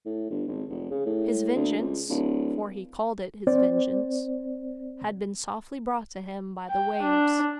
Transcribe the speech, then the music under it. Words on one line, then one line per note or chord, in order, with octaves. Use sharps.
His vengeance--for he called it his vengeance--had been softly brought to him by the waves.
A2
G1
G#1
F1
C#3
A2
D2
C#2
D1
C4 C5 D5
G5
D4